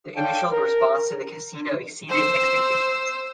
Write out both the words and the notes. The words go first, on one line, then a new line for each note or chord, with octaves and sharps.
The initial response to the casino exceeded expectations.
A4 C#5 D5 F5 G5 A5
A#4
C5 E6